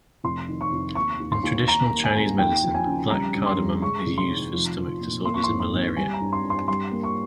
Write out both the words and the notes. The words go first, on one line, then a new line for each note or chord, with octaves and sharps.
In traditional Chinese medicine, black cardamom is used for stomach disorders and malaria.
F1 C6
D#3
C#6
F1
D#2 C#6
D#2
C6
D#2
D#3 A#5
A#3
G#5
G#1
D#2 G5
F3
G#5
C#3
G3 A#5
G2
C6
G3
G#3 C#6
F1
C6
D#3
F3
F3
A#2
A#3 C6
C#6
C6
G#2
C6
G#1
G3 G#5
A#5
G2
C6
G2
C6
G3 C6
A#3
C#6